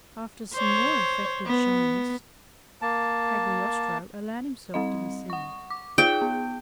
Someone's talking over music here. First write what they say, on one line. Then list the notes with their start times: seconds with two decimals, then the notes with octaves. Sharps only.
After some more affected shyness, Cagliostro allowed himself to be seen.
0.54 C5 C#5
1.46 B3
2.82 A#3 A5
4.74 G3 C4 D#5
5.30 F#5 C#6
5.70 D6
5.98 D#4 F4 G#4 G5
6.22 B3